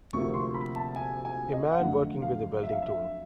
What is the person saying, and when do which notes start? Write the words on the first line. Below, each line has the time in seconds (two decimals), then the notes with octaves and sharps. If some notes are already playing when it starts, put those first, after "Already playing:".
A man working with a welding tool.
0.13 D2 C3 F3 A#3 C#6
0.34 C6
0.54 B5
0.76 A5
0.96 G#5
1.25 G#5
1.53 D#5
1.72 F#5
1.80 F2 D3 F#3 A3 F5
2.22 F5
2.63 E5
2.72 F5
2.82 E5